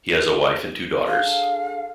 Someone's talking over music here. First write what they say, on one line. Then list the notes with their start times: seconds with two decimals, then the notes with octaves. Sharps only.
He has a wife and two daughters.
1.07 D4 G#4 A4 F5